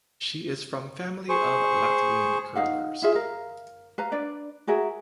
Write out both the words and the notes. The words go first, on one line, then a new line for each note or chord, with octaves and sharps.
She is from family of Latvian curlers.
G#4 C5 C#6
D#4 F5 F#5
E4 F4 G#4 E5
A#4 F5
B4 F5 A#5
D4 B4 D5
F#4 G#4 A#4 E5